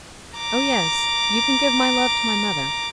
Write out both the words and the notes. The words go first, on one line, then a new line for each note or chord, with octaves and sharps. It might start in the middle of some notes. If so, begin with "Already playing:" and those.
Oh yes;--you can give my love to my mother.
A#5 D6